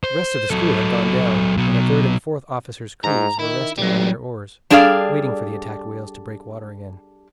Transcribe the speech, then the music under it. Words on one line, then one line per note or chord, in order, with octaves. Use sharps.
The rest of the school had gone down, and the third and fourth officers' crews were resting on their oars, waiting for the attacked whales to break water again.
C5
F#3 A4
B2 F#3
G#2 A#5
D#3 E4
A1 F#3 G3
G3 D4 G#4 A4 D5 F5